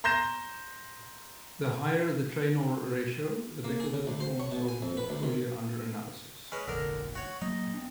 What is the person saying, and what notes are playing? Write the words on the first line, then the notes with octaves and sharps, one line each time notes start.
The higher the Treynor ratio, the better the performance of the portfolio under analysis.
A#5 C6 G6 A#6 E7
A#3
G#4
C#3
D2
C5
C#5
B2
G#5
F2
B4
D2
D#3
G#3 C#4 B4
F1 A#1 D3 A#4
F#4 C#5
F#3 A#3 D#4
B3 D4